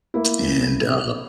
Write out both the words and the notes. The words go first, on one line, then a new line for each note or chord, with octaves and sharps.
and, uh,
A#3 E4